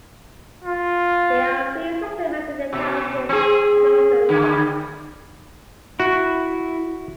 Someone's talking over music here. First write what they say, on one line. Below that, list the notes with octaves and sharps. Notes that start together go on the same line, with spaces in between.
There are three settlements in the township, none of them large.
F4
B2
C4 G#4
D3
E4 F#4